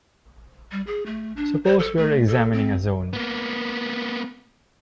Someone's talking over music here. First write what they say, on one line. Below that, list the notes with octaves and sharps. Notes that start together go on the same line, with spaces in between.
Suppose we are examining a zone.
G3
G#4
A3
D4
C5
A4
A3
A4
C4
A#3 B3